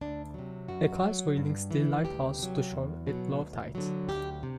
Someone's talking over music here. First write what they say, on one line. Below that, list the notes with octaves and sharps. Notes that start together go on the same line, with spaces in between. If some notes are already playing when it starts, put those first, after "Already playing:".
A causeway links the lighthouse to shore at low tide.
D2 D4
C3 F#3
F#2 F#4
F#3
G2
E3
D2 G4
C3 F#3
E2
B2 F#3
D2
D3 F#3
D2 G4
C3